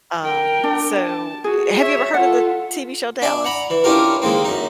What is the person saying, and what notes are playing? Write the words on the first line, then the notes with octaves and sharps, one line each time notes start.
Um, so, eh have you ever heard of the TV show Dallas?
A#4 G5
D4
A5
F#4 G#4
C#5 E5
F4 A4 F#5
D4 D5 E5 G#5
F#5 A#5 B5
E3
C#4 D4 E4 F4 G4 A#4
D#3 G#3 A#3 C4
F#2 D#4